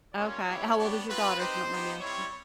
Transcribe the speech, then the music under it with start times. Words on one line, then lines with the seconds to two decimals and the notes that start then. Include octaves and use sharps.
Okay how old is your daughter, if you don't mind me asking?
0.14 G3 A#3 C#4 F4 C#5
0.45 G#3 B3 E4 G4
0.77 B3 D4 G4
1.08 C4 F4 B4
1.38 C4 D#4 G4 C5
1.69 B3 D#4 G4
2.00 G3 C4 E4 C#5